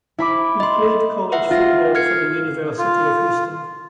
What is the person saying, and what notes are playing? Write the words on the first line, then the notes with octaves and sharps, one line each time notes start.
He played college football for the University of Houston.
E4 B5 D6
D#5 C6
B4 E5 F#5
F4 A#6
F6 G#6 C7 C#7
F4